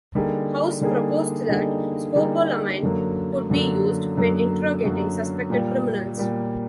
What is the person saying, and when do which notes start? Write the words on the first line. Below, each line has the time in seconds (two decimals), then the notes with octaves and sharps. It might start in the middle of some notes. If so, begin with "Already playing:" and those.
House proposed that scopolamine could be used when interrogating suspected criminals.
0.15 D3 G3 A#3 D#4 G#4
0.81 D3 G3 A#3 D#4 G#4
1.48 D3 G3 A#3 D#4 G#4
2.15 D3 G3 A#3 D#4 G#4
2.82 F#2 D3 F#3 A#3
3.50 F#2 D3 F#3 A#3
4.17 F#2 D3 F#3 A#3
4.84 F#2 D3 F#3 A#3
5.50 A#2 G3 A#3
6.17 A#2 G3 A#3